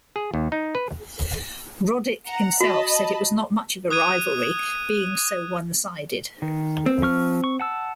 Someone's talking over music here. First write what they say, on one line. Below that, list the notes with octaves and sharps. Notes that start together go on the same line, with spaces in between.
Roddick himself said it was not much of a rivalry, being so one-sided.
G#4
D#2
D#4
B4
F#5 A#5
F#4 D#5 A5 B5
D#6 F#6 G#6 D#7
D#3
C4
F3 C#6 F6
C#6
F#5 A5 E6